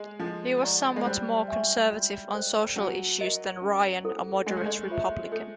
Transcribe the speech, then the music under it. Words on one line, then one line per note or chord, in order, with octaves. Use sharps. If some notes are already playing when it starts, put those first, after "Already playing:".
He was somewhat more conservative on social issues than Ryan, a moderate Republican.
Already playing: G#3
F3 A4
D5 F#5 A#5 C#6
G#3
G3 C5
E5 G#5 C#6
F#4
A4 C5 D#5
F#3 D4
F#4 A#4 D#5
C#4
E4 A4 C5
G#3 D4
A3
G#3
F4 G#4 C5 E5
A3 A4